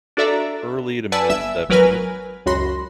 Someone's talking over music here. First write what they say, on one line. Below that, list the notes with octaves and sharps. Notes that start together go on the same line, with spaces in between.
early to mid-seventies,
D4 F#4 A4 D5 E5 A#5
B4 D5 F#5 G#5 A5 E6
G1 E5 E6
G#1 F#3 A#4 B4 G#5 F6
C#2 F#2 F#4 B5 C6 A#6